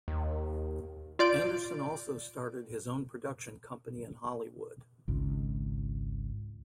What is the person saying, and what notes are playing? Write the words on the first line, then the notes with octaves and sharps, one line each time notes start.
Anderson also started his own production company in Hollywood.
D#2
F4 D5 G6 D7
G#1 C#2